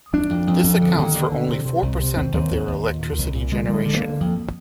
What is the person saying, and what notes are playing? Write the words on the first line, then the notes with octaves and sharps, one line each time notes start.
This accounts for only four percent of their electricity generation.
F2 D4
F2
F2
F2
D3
D#2
D3
D3
C3
C3
C2
C3
D#2 C4
D#2
D#2
D#2
A#2
A#2
C2
A#2
D3 G#3
G3
D3 G#3
D3
G#3
A#3
D3
F2